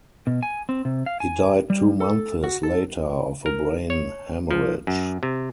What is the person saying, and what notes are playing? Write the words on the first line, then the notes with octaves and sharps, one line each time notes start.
He died two months later of a brain hemorrhage.
B2
G#5
C4
C3
F5
G#5
G3
A4
F#4
A4
A#4
C#5
F3
F#2
C3